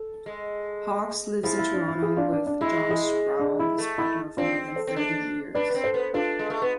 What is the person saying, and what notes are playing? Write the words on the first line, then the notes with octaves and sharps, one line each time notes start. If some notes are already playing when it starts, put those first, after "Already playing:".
Hawkes lives in Toronto with John Sproule, his partner of more than thirty years.
Already playing: A4
G#3
F3 E4 G#4
E4
D4
E4
E4 G#4
D4 F4
D4
D4
G#3 E4
E4 G#4
D4
E4
A3
E4
C4 D4 F4
A4 C5
C4
D4
D4 B4 D5
B3
C4
A4 C5
B3
D4 F4 A4
G#3
A3
B3